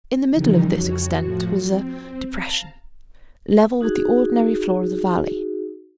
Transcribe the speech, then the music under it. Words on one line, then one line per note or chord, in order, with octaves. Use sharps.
In the middle of this extent was a depression, level with the ordinary floor of the valley.
C#3 E3 F3 G3 D#4 A#4
F2 F#4 C#5
A2 F3 F#4
C4
F5 A5 A#5
D#4 F#4 G#4